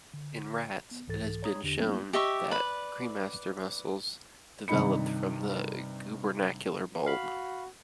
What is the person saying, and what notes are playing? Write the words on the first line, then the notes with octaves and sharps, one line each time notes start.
In rats, it has been shown that cremaster muscles developed from the gubernacular bulb.
D3
B3
C2 G#2 E3 A4 A6
C#5 A#5 D#6 G#6
E2 D3 D4 G4 A#6
F#3 G#3 A#3 B3 C#4 E4
G4 D#5 E5 C#6
B4 D5 B5
G2 C3 D#3 D#5 B5 C#7
F#4 F5 B5